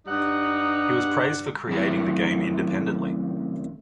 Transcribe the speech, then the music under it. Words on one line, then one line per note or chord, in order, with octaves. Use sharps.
He was praised for creating the game independently.
G2 G3 D#4 F#5
F#2 C3 D#3 A3 E4 B5